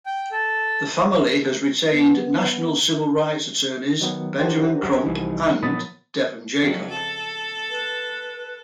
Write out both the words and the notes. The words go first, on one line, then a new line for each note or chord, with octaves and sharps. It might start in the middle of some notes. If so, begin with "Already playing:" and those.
The family has retained national civil rights attorneys Benjamin Crump and Devon Jacob.
G5
A4
B3
D#3 F#3 B3
D4 G4 A#4 C5 F#5
F#2 F#3
C2 E3 F3 G3 D#4
A#2 F#3 B3 B5 D#6 A6
F2 C#3 F#3
A4
B4